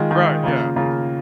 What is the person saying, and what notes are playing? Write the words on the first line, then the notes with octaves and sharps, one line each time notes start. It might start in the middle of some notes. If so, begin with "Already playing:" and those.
Right, yeah.
Already playing: D#3 G#3 F4
D#3 G#3 F4
C#3 A#3 F4
C#3 A#3 F4